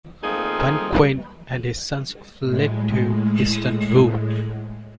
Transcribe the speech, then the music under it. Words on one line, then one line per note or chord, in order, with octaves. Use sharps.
Wen Qin and his sons fled to Eastern Wu.
A3 A#3 C4 D#4 F4 G#4
A2 G#3